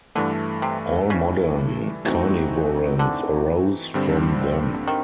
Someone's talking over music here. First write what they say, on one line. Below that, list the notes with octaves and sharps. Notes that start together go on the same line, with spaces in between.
All modern carnivorans arose from them.
G2 D3 E3 A3
C3
C#3
E3 A3 C4 D#4 F#4
D3
G2 D3 G3 C4
D#3